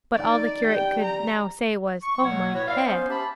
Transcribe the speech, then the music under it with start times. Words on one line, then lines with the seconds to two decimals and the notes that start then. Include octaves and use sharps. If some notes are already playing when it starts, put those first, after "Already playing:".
But all the curate could now say was, 'Oh, my head!'
0.15 D#4 D5
0.68 G3 G5
1.05 A#5
2.03 C#6
2.22 B2 F#3 A#3 F#4 C#5 F#5
2.54 A2 F#4 B4 C#5
2.66 E4 D5 E5 F5
2.84 B3 C#4 C5
3.09 G4 E5 A5 B5